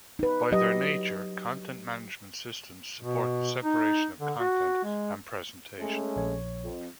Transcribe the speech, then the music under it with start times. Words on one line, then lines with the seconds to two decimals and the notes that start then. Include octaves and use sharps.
By their nature, content management systems support the separation of content and presentation.
0.19 D#4 B4
0.52 F#3 G4 D#5
3.01 B2
3.64 D#4
4.20 D3
4.40 F#4
4.84 G#3
5.79 G#3 A3 C#4
6.16 A#1 C#5
6.63 F2